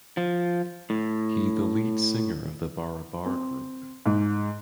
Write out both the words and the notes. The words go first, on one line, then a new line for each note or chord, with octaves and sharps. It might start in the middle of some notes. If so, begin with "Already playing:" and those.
He the lead singer of the barabar group.
F3
A2
C4
G#2